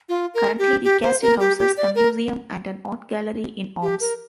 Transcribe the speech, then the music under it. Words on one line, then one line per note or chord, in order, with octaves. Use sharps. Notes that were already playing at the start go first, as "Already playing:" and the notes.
Currently the castle houses a museum and an art gallery in arms.
F4
A#4
G4
G4
C5
A#4
G4
G4
D5
A#4
G4
A#4